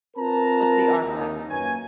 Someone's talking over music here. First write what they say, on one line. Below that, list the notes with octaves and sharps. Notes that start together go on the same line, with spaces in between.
What's the RPAC?
C4 F4 A#4 B4 A5 A#5
D#2 D#4
F#2 A#3 B4 C#5 G#5